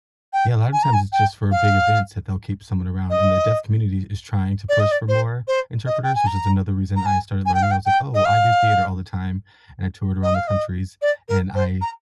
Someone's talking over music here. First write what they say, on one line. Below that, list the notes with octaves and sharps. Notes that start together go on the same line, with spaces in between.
Yeah. A lot of times, it's just for big events that they'll keep someone around, and the deaf community is trying to push for more interpreters, which is another reason I started learning. I was, like, "Oh, I do theater all the time," and I toured around the countries. And I
G5
G#5
A#5
G#5
G5
F5
D#5
D5
D#5
D5
C5
C5
D#5
G5
G#5
A#5
A#5
G#5
G#5
G5
F5
G5
G5
D#5
F5
D#5
F5
D#5
D5
A#4
C5
A#5